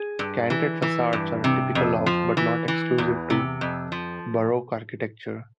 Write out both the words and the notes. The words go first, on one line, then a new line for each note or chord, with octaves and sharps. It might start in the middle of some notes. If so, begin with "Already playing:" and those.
Canted facades are a typical of, but not exclusive to, Baroque architecture.
Already playing: G#4
G2
E3
E3
G2
C3
F2
F3
E3
E3
E2
C3
F2
F3